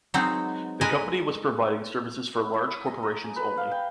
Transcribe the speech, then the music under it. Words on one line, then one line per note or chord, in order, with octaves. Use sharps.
The company was providing services for large corporations only.
F#3 G#3 B3 C4 D#4
G#3 A#4 B4 D#5 G#5
E4
E4
D#6
D#5
A#5
G#4
B4
F5
G5